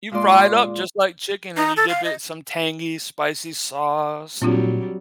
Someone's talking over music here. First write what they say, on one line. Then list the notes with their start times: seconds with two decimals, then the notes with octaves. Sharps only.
You fry it up just like chicken and you dip it in some tangy, spicy sauce.
0.11 A#2 G#3 F4 D5 C6
1.57 D#4
1.77 A4
1.89 F5
2.04 D#5
4.42 A#2 F#3 G3 C4 D4 F4